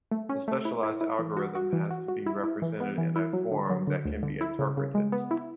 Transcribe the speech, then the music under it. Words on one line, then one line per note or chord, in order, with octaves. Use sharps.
The specialized algorithm has to be represented in a form that can be interpreted.
A3
C#4
A3
E4
E4
E4
E3
F#4
F#4
E3
F#4
F#4
E4
E4
E3
B3
E3
E4
F#3
D3
F#3
D3
D2
D3
E4
C#3
C#3
G#3
B3
E4